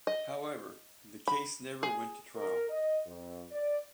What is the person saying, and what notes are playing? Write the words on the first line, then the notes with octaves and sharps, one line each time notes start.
However, the case never went to trial.
D#5
B5
G#4
A#4
D#5
F2
D5